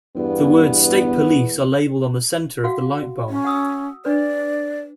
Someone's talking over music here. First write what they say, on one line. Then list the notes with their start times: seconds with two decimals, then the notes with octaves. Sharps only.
The words "State Police" are labelled on the center of the light bar.
0.16 E2 G2 B3
2.64 F#4 F5 F#5
3.29 C#4
3.45 F#5 D#6 E6
4.05 D4 B4 D5